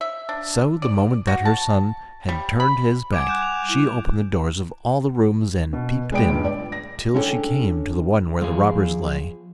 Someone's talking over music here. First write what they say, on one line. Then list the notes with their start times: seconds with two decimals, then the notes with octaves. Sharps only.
So the moment that her son had turned his back, she opened the doors of all the rooms, and peeped in, till she came to the one where the robbers lay.
0.01 E5
0.29 D4
0.82 D5
1.27 F#4
1.45 A5
2.29 G3
2.60 B5
3.13 G3 F#5 G#5 D6 G#6 D7
3.28 F#6 G6 E7
3.42 F7
3.69 E4
5.73 B2
6.12 G#3 B3 D5 G5 D7
6.30 C#2 G2
6.44 D5
6.72 A#6
7.14 C#4 D4 E4 A4 C#5 G5
8.42 F3 G#4